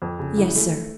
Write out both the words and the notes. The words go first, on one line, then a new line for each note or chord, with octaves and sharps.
"Yes, sir."
F2
C#3
E3
A3